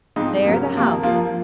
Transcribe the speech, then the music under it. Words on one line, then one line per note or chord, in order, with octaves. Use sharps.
There the house.
G#2 F3 C4 D#4
C#3 F#3 A#3
C3 F3 A#3
F3 A#3 F4